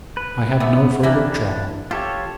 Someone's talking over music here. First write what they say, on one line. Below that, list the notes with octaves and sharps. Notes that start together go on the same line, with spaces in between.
I had no further trouble.
B4
D3 A3 B3
E3 G3 A#3 D4 E4
F4 G4 A4 C#5